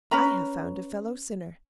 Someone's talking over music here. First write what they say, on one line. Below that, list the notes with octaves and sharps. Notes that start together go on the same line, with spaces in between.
"I have found a fellow-sinner."
C#4 B4 A#5 B5